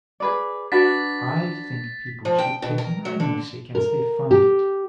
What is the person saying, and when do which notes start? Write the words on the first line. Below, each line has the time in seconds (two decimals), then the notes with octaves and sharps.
I think people should take my music as they find it.
0.20 G#4 B4 D5
0.72 D4 F#4 B4 A6 B6
2.25 F3
2.38 G5
2.62 B2
2.78 A#4
3.05 F#3
3.20 D3
3.75 A#4
4.31 G4